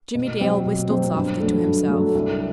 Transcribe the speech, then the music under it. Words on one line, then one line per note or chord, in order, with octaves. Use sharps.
Jimmie Dale whistled softly to himself.
B2
F#3 C4 G4 C5
B2
F#3 C4 G4 C5
G2
F#3 A3 D4 A4
G2
F#3 A3 D4 A4
C2